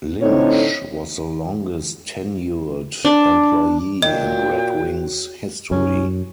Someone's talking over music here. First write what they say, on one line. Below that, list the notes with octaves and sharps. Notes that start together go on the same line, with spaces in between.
Lynch was the longest-tenured employee in Red Wings history.
A2 D3 C4 D#4 C#5
D4
A#2 F#3 D#5 G5
F#2 C#4